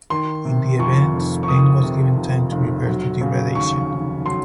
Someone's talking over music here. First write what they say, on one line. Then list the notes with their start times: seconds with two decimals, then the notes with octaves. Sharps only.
In the event, Spain was given time to reverse the degradation.
0.10 D#3 C6
0.45 C3
0.79 F2 C#6
1.14 F1
1.43 C#6
1.48 D#3 D#6
1.83 C3
2.17 F2
2.52 F1
2.86 F#3
3.21 C#3
3.55 D#2 C#6
3.91 F1
4.26 F#3 C6